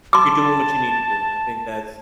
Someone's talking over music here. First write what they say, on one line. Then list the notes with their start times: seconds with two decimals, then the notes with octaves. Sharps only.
you're doing what you need to do," and I think that's
0.13 A5 C6 D6